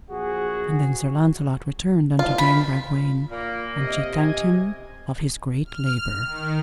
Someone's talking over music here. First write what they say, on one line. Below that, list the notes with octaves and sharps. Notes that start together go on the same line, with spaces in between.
And then Sir Launcelot returned unto Dame Bragwaine, and she thanked him of his great labour.
A#1 F#4 G#4
F4
B5
A#2 A#3
C3 D#5
G#5
F6
D#3